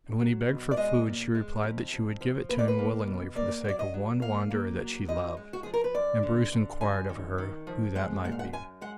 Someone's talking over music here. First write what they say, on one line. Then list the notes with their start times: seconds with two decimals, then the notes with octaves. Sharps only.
And when he begged for food she replied that she would give it to him willingly for the sake of one wanderer that she loved; and Bruce inquired of her who that might be.
0.20 F#3
0.48 B2
0.71 D5
0.77 G#3 D#5
1.06 A#2
1.35 G#3
1.63 F2
1.92 F2
2.21 F3
2.49 A#3 B4
2.59 D5
2.68 B4
2.78 A#3
3.07 B2
3.35 A#3 D5
3.65 F#3 D5
3.79 D#5
3.94 F#3
4.22 A#3 F5
4.50 A#3
4.79 F#3
5.08 F#2 D#5
5.37 G#3
5.53 F#4
5.63 F3 G#4
5.74 A#4
5.84 B4
5.94 F#2 D5
6.23 D3
6.52 D3
6.81 F#2 G#5
7.09 D#3
7.38 D#3
7.67 F3
7.95 G#3 F#5
8.24 A#2 F#5
8.32 F5
8.39 F#5
8.53 F#2 G#5
8.81 G#3 F#5